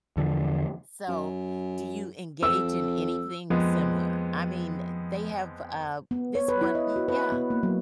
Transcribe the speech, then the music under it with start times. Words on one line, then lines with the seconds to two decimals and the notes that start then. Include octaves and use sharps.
So, do you engage in anything similar? I mean, uh, they have, uh, this one e yeah,
0.17 E2 D3 F3
1.09 F#2
2.43 F2 E6
3.50 F2 F3 G#3 B3
6.11 B3
6.35 C#5
6.48 B4
6.61 E4
6.75 D#5
6.96 F#4
7.08 B4
7.32 B3
7.50 A#3
7.63 F#3